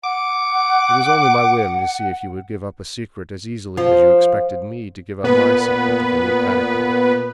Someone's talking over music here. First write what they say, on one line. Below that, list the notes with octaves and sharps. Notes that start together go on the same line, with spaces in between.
It was only my whim to see if you would give up a secret as easily as you expected me to give up my secret of the new catacomb.
F#5 D6
F3
A#2 B3 B4